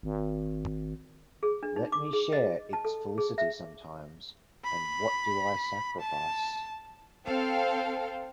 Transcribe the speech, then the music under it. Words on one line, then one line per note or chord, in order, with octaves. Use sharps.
Let me share its felicity sometimes, and what do I sacrifice?
G#1
G#4
D4
D#4
D6
G#4
D#5
A5
A4
G#4
E5
B5
A5
C4 A4 F5 G5